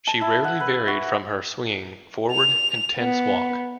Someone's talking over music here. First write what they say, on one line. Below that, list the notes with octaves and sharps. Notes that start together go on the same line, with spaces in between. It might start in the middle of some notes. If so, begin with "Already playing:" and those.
She rarely varied from her swinging, forward, intense walk.
A5
E4
F#5
B4
F#4
F7
B3